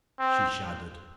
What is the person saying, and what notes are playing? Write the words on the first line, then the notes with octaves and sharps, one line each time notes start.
She shuddered.
C4